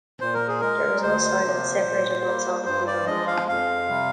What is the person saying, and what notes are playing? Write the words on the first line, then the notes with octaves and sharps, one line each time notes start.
There was no silence separating one song from the other.
A#2 C5
A#4
G#4
G#3 A#4
D2 C5
C3 F3 A#3
A#2
G3 A#3
G2 C5
D5
F3 G#3 D#5
F5
F2 F5
C3 G3